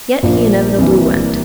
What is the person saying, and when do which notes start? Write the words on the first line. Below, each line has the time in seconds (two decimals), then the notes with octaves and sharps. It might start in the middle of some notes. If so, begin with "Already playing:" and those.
Yet he inevitably went.
0.23 A#1 A#2 F3 A#3 D4
0.78 C2 C3 E3 A#3 D4